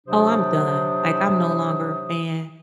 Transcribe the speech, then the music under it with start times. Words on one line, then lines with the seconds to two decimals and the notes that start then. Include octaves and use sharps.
"Oh, I'm done. Like, I'm no longer a fan."
0.07 C3 F#3 D4 C5 D#6